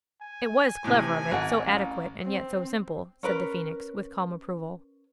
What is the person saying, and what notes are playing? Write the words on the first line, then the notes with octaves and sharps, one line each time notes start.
'It WAS clever of it--so adequate and yet so simple,' said the Phoenix, with calm approval.
G#5
A2 C3
G#1 F#5
A1
C4
C#4 A#4 B4